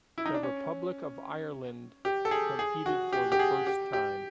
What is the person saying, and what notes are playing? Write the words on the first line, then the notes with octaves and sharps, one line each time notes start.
The Republic of Ireland competed for the first time.
E4
D#4
D4
C#4
G4
A4
G#4
G#4
F#4
G4
G4
G#4
G4
G4